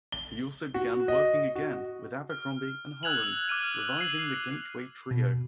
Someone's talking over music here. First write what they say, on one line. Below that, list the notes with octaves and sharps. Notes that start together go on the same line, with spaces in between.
He also began working again with Abercrombie and Holland, reviving the Gateway trio.
G7
F#4
D#5
F#4
F6
E6 F#6 G#6 F7 F#7
D6 F6 D#7 F7
C7 D#7 F#7
B2